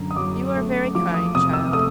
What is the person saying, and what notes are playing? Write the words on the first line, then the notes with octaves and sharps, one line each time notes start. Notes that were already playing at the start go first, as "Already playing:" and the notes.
'You are very kind, child.
Already playing: F#2 D3 A#5
D#6
F#3 D6
A3
F3 D6
D#6
C3 D#6
E6
A3 D#6